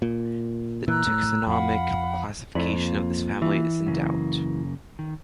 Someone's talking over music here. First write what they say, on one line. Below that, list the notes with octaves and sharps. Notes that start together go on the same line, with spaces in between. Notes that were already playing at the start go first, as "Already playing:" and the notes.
The taxonomic classification of this family is in doubt.
A#2
A#2 E3 A#5 E6 F#6
A2
F2 F5 F#5 B5
F2 A3 E4 D5
A#3 F4
E3
F#2 C#3 A#3
D#3